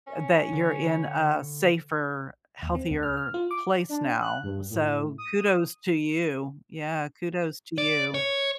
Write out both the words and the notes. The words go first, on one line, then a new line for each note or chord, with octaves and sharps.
that you're in a safer, healthier place now, so, kudos to you, yeah, kudos to you.
C#4
D3
D#2
C4
D2
F6
F6
F4
D6
D4
F#6
G2
A2
D#6
D5
C#5